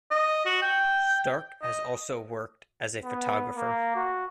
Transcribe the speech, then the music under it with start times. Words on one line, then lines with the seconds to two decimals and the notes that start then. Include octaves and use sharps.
Stark has also worked as a photographer.
0.11 D#5
0.46 F#4
0.62 G5
1.62 D#5
3.03 B3
3.56 A#3
3.96 F#4